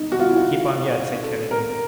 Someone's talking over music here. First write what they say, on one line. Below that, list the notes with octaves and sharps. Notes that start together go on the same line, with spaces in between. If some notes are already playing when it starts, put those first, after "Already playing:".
"Keep on yet," said Kennedy.
Already playing: D#4
F#4
F4
E4
F4
A4
A#4